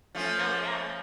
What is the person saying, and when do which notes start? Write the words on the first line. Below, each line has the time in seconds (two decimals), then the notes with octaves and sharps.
No, yeah.
0.15 F3 A3 C#4